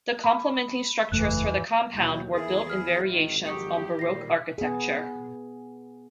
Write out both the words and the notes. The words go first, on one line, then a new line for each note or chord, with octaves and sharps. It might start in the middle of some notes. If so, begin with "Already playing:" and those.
The complementing structures for the compound were built in variations on Baroque architecture.
B5
F#1 E2 E3 A3 F#6
D#2 B2 F#3 E4 G6
E2 E4 G#4 A#4 E5
F6
G#1 D#3
F2 F#3 G4 C#6 D#6 C#7
A#2 D#3 G3 A#6 C7
B3 G#4